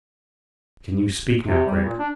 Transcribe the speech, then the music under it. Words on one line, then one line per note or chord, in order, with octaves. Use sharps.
"Can you speak now, Gregg?"
C3
G3
A#2
D4